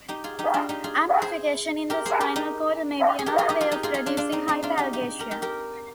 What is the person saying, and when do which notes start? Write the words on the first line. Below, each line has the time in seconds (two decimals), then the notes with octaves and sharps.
Amplification in the spinal cord may be another way of producing hyperalgesia.
0.08 D#4 G4
0.24 F4 G#4
0.39 D#4 G4
0.54 D4 F4
0.69 D#4 G4
0.84 F4 G#4
1.22 G#4 C5
1.90 G4 A#4
2.05 G#4 C5
2.20 G4 A#4
2.36 D#4 G4
3.19 G#4
3.26 G4 A#4
3.38 F4 G#4
3.49 D#4 G4
3.61 F4 G#4
3.72 D#4 G4
3.83 F4 G#4
3.94 F4 G#4
4.06 D4 F4
4.17 D4 F4
4.32 C4 D#4
4.48 C4 D#4
4.63 D4 F4
4.78 D#4 G4
4.93 D#4 G4
5.19 G4 A#4
5.31 D#4 G4
5.42 G4 A#4